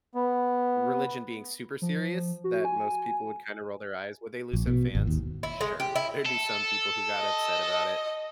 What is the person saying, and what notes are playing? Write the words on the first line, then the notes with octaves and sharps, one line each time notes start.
religion being super serious that most people would kinda roll their eyes. Would they lose some fans? Sure. There'd be some people who got upset about it,
B3
F3
F#4
G#5
A#1
B2
G#1
D#2
E4
G#3
G4
E4
A4
D#5